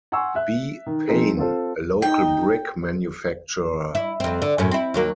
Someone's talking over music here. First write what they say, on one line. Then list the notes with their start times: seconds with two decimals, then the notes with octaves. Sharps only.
B. Paine, a local brick manufacturer.
0.12 F#5 G#5 C6 C#6 E6
0.35 E5 F#6
0.86 D#3
1.07 F3 C4 D#4 G#4
1.37 C4 F4 A4 C5
2.02 D#4 G5
3.95 E4
4.20 F2 C4
4.42 D3
4.58 F#2 A2 C#4
4.71 C4 E4
4.94 D#2 F#3 A#3